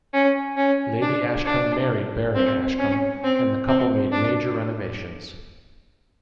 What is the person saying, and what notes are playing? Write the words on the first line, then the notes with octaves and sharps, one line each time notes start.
Lady Ashcombe married Baron Ashcombe, and the couple made major renovations.
C#4
C#4
D4
D4
C4
C#4
C4
C4
D4